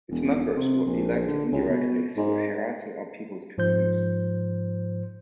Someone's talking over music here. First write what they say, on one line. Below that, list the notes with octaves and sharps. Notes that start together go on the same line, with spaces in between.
Its members were elected indirectly through a hierarchy of people's committees.
E1
C3
A#1
D3
C#2
B2
G#2
G#2 F3 C5 G6